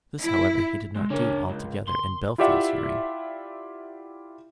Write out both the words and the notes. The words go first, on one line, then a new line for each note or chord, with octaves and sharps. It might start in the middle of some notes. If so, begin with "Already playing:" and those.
This, however, he did not do altogether in Bellfield's hearing.
E4
G#3
C#3 D4 A#4 C#5
C#2
C6
E4 F4 G4 D5 E5 F#5